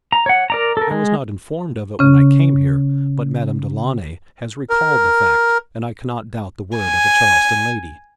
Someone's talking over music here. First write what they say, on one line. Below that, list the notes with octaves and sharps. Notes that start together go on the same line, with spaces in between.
I was not informed of it when I came here, but Madame Delaunay has recalled the fact and I cannot doubt the word of a Charleston lady.
A#5
C#5 F#5
A#4 D5 A#5
A4 A#4
G#3
C#3 C#4
A#4
G#5